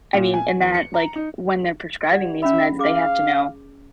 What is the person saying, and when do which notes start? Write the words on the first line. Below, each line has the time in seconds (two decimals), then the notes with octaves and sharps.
I mean, and that like, when they're prescribing these meds, they have to know,
0.14 A#2
0.34 G#5
0.60 E2
0.74 C#7
0.94 A#5
1.16 D#4
2.12 G4 D5 F#5
2.43 C#4 E5 B5
2.79 G#4 F5 D6